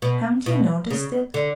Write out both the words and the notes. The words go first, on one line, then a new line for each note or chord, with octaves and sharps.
Haven't you noticed it?
B2
B2
C#3
D3